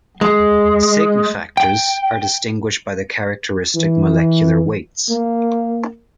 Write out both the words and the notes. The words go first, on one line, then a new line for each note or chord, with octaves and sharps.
Sigma factors are distinguished by their characteristic molecular weights.
G#3
G5
E3
A#3